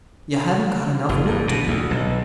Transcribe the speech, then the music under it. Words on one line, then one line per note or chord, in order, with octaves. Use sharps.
You haven't got enough work to do.
F#1
G2
B2
D2
B1